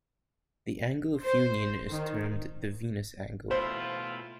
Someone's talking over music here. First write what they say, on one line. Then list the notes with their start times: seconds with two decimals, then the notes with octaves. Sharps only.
The angle of union is termed the venous angle.
1.23 C5
1.90 D#3
3.51 B2 A3 E4 F4 C5